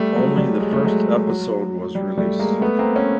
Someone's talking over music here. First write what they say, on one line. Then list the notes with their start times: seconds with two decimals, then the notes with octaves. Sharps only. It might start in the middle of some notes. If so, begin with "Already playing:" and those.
Only the first episode was released.
Already playing: G3 A3
0.15 F#3 G#3
0.37 G3 A3
0.60 G#3
0.73 A3
0.84 F#3 G#3
1.27 F#3
1.95 G3
2.17 G3 A3
2.40 G#3 A#3
2.61 A3 B3
2.79 A#3 C4
2.96 B3 C#4